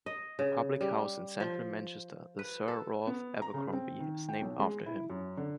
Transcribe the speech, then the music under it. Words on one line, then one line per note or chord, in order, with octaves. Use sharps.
A public house in central Manchester, the 'Sir Ralph Abercromby', is named after him.
D#5
C#3
G3
F3
B4
A4
B3
A#5
C#3
C4
D#3
G5
B1
G#3
E4
F#2
D3